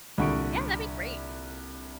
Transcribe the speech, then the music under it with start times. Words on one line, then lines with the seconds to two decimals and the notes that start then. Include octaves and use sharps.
Yeah, that'd be great.
0.18 C2 A#2 D3 C#6 D7